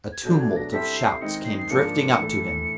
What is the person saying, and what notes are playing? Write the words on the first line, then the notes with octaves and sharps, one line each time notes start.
A tumult of shouts came drifting up to him.
G#6
B2 F#3 A3 D4 G6
G#6
A#6
G3 C4 E4 A4 C5 B6
C7
D#3 G#3 C4 D#4 C#7
C7
C7
G#2 F3 A#3 D4 C#7
A2 E3 A3